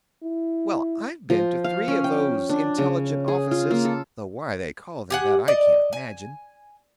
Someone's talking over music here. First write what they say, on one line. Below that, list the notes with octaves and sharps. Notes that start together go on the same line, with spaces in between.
Well, I've been to three of those intelligence offices--though why they call them that I can't imagine.
E4
F3
F5
C#4
G5
D4
C#3
G#4
F4
A#3
A4
G4 G#4 F#5
D5 D#5
G#5